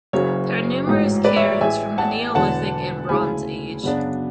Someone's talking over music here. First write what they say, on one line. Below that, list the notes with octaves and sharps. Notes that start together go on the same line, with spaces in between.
There are numerous cairns from the Neolithic and the Bronze Age.
F#1 F#2 C#3 F#3 C#4 C#5
A1 G#2 F#3
B4 D5
C#5 E5
A1 A2 G#3 E5 G#5
F#5 A5
E1 E2 D3 F#3 F#5 A5
D2 C#3 G#3 C#4 E4 G#5 B5
F#2 C#3 F#3 B3 D4